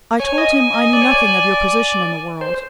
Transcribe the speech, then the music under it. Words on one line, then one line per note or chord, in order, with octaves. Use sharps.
I told him I knew nothing of your position in the world.
C#5 G#5
D#5
D#5
D5
C#5
D5
C5